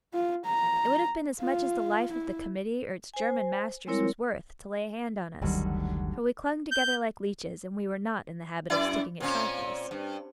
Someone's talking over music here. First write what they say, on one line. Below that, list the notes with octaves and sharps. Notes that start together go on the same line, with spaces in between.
It would have been as much as the life of the Committee or its German masters was worth to lay a hand on us, for we clung together like leeches and we were not in the habit of sticking at trifles.
F4
A#5
F4
E4
C5 G#5
G3 G#3 C4 E4 A#4 C#5
F#1 D2 D3 D#3 F#3 G3
G6
F#2 E4 D5
A#2 C4 C#4
G2